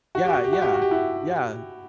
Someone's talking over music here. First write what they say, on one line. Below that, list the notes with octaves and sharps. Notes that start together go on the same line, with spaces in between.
yeah yeah yeah, e
F#4
G4
F#4
G4
F#4
G4
F#4
G4
E4 F#4